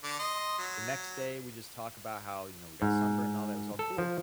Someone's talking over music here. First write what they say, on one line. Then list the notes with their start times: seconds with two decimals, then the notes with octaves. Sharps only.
The next day, we just talk about how, you know, we got sunburned and all that, it was all cool.
0.04 D3 D6
0.19 D#5 C6
0.59 F#3
2.82 G#2
3.79 A4
3.98 F3